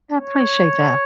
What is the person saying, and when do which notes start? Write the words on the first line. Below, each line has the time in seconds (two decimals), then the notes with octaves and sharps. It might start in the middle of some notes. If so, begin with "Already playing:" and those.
I appreciate that.
0.18 C#5